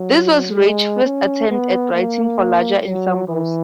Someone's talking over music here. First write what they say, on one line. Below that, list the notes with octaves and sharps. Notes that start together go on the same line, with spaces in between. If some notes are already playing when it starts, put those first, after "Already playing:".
This was Reich's first attempt at writing for larger ensembles.
Already playing: F#3
G#3
C#4
B3
A#3
F#3
E3